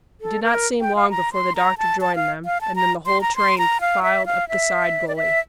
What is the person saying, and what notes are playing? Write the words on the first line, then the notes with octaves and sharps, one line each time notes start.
It did not seem long before the doctor joined them, and then the whole train filed up the side gully.
A4
A#4
G5
F5
A#5
C6
A#5
A5
A5
F5
F5
A5
A#5
C6
A#5
C6
A#5
F5
E5
F5
E5
D5
E5